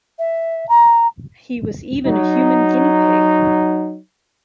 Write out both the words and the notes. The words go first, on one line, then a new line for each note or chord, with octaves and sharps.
He was even a human guinea pig.
E5
A#5
F#3 D#4